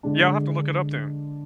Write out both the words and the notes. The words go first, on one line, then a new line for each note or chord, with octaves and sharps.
Yeah, I'll have to look it up then.
D3 G#3 D4